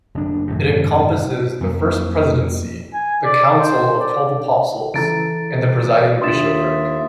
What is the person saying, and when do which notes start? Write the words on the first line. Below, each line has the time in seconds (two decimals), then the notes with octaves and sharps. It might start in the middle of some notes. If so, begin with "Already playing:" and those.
It encompasses the First Presidency, the Council of Twelve Apostles, and the Presiding Bishopric.
0.15 F#1 D4
0.47 G#1 F#2 A2 C3
1.61 F2 F#3 A3 A#3
2.94 G#5
3.24 D5
3.59 C5
4.00 D5
4.94 C#3 E3 A4 A5 A#5 A6 D7
6.22 D#2 D4 F4 E5 C6 D#6 A6 E7